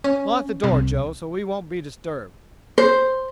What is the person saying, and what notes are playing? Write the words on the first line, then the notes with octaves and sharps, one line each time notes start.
Lock the door, Joe, so we won't be disturbed.
C#4
C2
C5